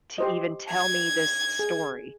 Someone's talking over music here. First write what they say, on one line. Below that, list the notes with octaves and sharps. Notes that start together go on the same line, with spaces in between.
to even tell me this story,
G4 C5 D#5
G#6
G#4